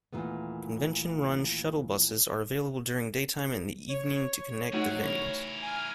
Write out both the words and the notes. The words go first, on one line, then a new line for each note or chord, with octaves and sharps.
Convention-run shuttle buses are available during daytime and the evening to connect the venues.
D#2 A#2 E3 A3 B3
C#5
C3 A3 D#4 F#4
E3 A#4
G#5 F6